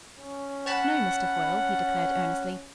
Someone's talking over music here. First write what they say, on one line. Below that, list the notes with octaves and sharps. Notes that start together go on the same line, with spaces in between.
"No, Mr. Foyle," he declared earnestly.
C#4
C#5 F#5 A5 B5